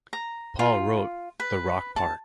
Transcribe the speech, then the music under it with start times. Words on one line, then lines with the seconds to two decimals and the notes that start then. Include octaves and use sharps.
Paul wrote the rock part.
0.13 A#5
0.59 F4
1.40 B4
1.96 A5